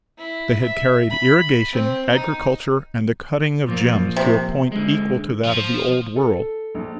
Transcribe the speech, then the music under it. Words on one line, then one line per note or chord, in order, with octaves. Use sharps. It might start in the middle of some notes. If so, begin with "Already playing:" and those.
They had carried irrigation, agriculture, and the cutting of gems to a point equal to that of the Old World.
E4
E5
B5
C4
D#4
A#2 F3 A#3
C3
D3 G#3
F3
A4
A#1